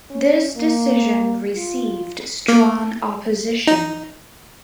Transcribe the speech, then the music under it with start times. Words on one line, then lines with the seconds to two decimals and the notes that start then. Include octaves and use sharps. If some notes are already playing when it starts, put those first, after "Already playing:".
This decision received strong opposition.
0.10 C#4
0.56 A#3
1.54 F4
2.48 A#3
3.67 D#4